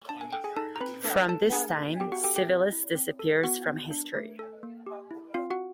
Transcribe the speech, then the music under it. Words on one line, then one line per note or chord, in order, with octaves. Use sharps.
From this time, Civilis disappears from history.
D4 A5
G#5
A4 G5
G#4 G#5
D#4 A4 A5
A#5
C4 B4 B5
D4 A4 A5
A4 A5
D4 G#4 G#5
D4
B3 G4 G5
F#4 F#5
G4 A4 G5
G4 G5
C4
E4
C4
A4
B3 F#4 F#5
B3
D4
A3
A4
A#3
G4
E4
C4 F4 F5
F#4 F#5